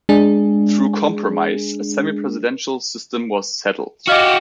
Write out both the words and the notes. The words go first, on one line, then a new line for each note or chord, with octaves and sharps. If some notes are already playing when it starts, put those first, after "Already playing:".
Through compromise, a semi-presidential system was settled.
G#3 D4 G#4
F#4 G4 D#5 F5 F6